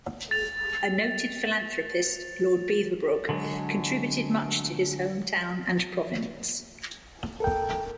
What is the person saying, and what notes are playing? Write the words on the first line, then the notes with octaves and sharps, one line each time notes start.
A noted philanthropist, Lord Beaverbrook, contributed much to his home town and province.
A6 F7
D3 F#3 G#3
A4 A#4 G5